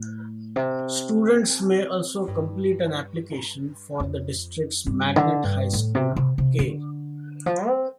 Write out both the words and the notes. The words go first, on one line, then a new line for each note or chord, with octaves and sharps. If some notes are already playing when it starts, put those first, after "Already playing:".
Students may also complete an application for the district's magnet high school, Kerr.
Already playing: A2
C3
G2
F2
G2
D3
G2
A2
C3
C3
C3
D3
F3
C4